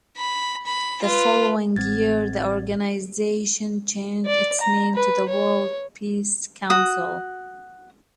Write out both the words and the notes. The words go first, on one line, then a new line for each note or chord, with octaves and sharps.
The following year the organisation changed its name to the World Peace Council.
B5
B5
F4 B4
A1 C4 G#6 A6
D5
A#5
B4
C#5
F#4 D#6